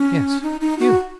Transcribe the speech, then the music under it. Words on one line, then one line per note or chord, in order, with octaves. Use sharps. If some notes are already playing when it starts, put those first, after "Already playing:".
"Yes, you."
Already playing: C#4
D#4
D#4
F#4